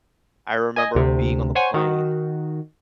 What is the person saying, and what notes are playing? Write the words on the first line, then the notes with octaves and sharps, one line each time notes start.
I remember being on the plane,
D#5 G#5
D2 C3
C5 C#5 F#5 G#5
D#3 F#4